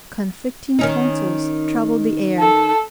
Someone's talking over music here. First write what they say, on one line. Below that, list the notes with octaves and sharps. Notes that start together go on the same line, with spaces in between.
Conflicting counsels troubled the air.
D#3 C#4 D#4
A4